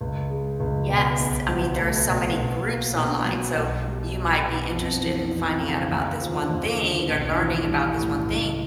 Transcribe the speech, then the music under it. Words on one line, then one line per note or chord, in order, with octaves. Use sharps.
Yes. I mean, there are so many groups online, so, you might be interested in finding out about this one thing or learning about this one thing
C#2
G#3
C#2
B2
B1
F#3
A3
B2
B2
A#3
B2
F#3
B1
G3
B1
B2
F2
E3
F2
C#3
D#2
F3
D#2
D3
B1
E3
G3
A2
C#2